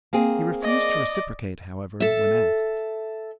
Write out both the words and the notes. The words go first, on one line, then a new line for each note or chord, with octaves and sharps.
He refused to reciprocate, however, when asked.
A#3 C4 G#4
D5 D#5
A4 E5